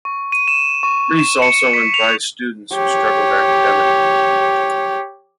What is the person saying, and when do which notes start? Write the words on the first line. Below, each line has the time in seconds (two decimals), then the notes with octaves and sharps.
Rhys also advised students who struggled academically.
0.05 C#6
0.32 D#7
0.48 E7
0.83 C#6
1.19 E7
1.42 C#7
1.73 B6
1.94 F7
2.74 G4 C#5